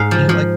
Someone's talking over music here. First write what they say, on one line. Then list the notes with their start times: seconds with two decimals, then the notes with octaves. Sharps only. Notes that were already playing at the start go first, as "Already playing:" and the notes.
You're like
Already playing: G#2 F5
0.11 F3
0.29 F3